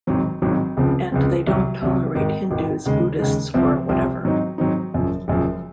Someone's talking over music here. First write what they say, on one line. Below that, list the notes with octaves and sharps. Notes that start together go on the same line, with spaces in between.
And they don't tolerate Hindus, Buddhists or whatever.
G#1 G#2 F#3 C4
G#1 G#2 F#3 C4
C#2 C#3 F3 C4
C#2 C#3 F3 C4
C2 C3 F#3
C2 C3 F#3
G#1 G#2 D#3
G#1 G#2 D#3
D#2 C#3 G#3
D#2 C#3 G#3
C2 C3 F3 C4
C2 C3 F3 C4
G#2 F#3 C4 D#4
G#2 F#3 C4 D#4
F#1 F#2 F3
F#1 F#2 F3